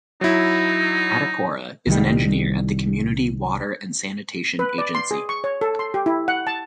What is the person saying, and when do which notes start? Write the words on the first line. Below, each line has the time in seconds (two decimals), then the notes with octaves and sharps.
Atakora is an Engineer at the Community Water and Sanitation Agency.
0.21 F#3 D#4 E4
1.87 C2 D#3 E3 G3
4.59 B4
4.78 D5
4.95 C6
5.11 G#4
5.29 C#6
5.44 C#5
5.61 A4
5.79 C6
5.94 G4
6.06 E4
6.28 F#5
6.47 A5